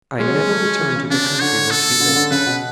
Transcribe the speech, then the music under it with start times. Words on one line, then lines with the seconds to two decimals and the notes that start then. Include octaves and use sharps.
"I never returned to the country where she lived."
0.19 G#3 C#4
0.27 F#3
0.35 G#3
0.51 A3
0.65 G#3
0.81 E3
0.96 C#3
1.10 C#3 D4
1.40 D3 C#5
1.71 A4
2.00 D3
2.08 C#3
2.15 D3
2.31 C#3 B4
2.46 B2